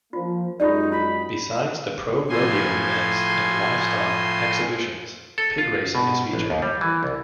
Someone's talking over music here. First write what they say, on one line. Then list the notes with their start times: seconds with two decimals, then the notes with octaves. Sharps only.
Besides the pro rodeo events and livestock exhibitions, pig racing is featured.
0.13 F3 A#3 F4
0.60 F#2 F#3 G#3 D#4 F4 G4 D5
0.92 F4 B5
2.29 A2 F3 G#5 C6
5.38 A4
5.58 F4
5.95 B2
6.33 A1
6.50 D#2
6.62 G3
6.81 E3
7.03 C2